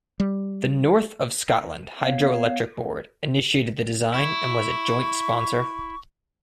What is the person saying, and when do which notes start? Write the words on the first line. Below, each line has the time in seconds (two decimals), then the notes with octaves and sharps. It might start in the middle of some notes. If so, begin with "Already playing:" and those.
The North of Scotland Hydro-Electric Board initiated the design and was a joint sponsor.
0.20 G3
2.01 B3 C#5 F5
4.14 E4 C#6